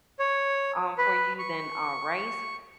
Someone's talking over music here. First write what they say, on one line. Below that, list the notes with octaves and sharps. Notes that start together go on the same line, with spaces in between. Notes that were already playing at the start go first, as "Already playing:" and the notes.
um, for you than, uh, rice,
C#5
B4
C#6